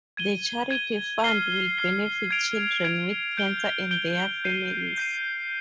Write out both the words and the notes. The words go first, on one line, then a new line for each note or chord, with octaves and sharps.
The charity fund will benefit children with cancer and their families.
G#6 D#7 G7
G#6 D#7 G7
F6 C7 G7
F6 C7 G7
G#6 D7 F7
G#6 D7 F7
G6 D7 G7
G6 D7 G7
G6 C7 D#7
G6 C7 D#7